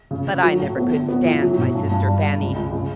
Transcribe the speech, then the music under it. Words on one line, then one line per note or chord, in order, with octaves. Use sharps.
But I never could stand my sister Fanny.
C#3
C#3
F#3
A2
B3
D3
B3
E3
F#3
B2
G2
G2
G3
G3
C#2
C#2
C#3